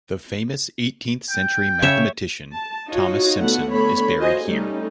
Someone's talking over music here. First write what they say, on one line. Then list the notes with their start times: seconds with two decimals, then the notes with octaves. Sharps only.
The famous eighteenth-century mathematician Thomas Simpson is buried here.
1.30 G5
1.82 C#3 C#5 E5
2.53 A5
2.89 D#4 F4 F#4 C#5
3.40 D3 A3 B3 F#5
3.71 D3 A3 B3 C#5 B5
4.17 F4 F#4 C5 D#5 G#5
4.46 G3 A3 C#4 D#4